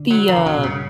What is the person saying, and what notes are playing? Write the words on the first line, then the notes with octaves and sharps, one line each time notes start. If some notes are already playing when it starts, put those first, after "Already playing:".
the, uh,
Already playing: D3
F#3
E3 A#3
D3
C#3 F#3
B2
G2 C#3